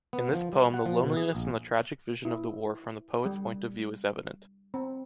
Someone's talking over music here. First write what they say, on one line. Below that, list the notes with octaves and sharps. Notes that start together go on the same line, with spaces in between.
In this poem the loneliness and the tragic vision of the war from the poet’s point of view is evident.
B3
F3
G3
F#5
F3
B2
G#4
A#1
E4
G3
C4